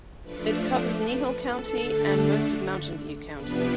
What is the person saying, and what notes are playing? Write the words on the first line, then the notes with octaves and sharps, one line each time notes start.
It covers Kneehill County and most of Mountain View County.
F3 A3 D4 B4
C5
B4
A4
D3 A3 D4
C3 F3 B3 D4 B4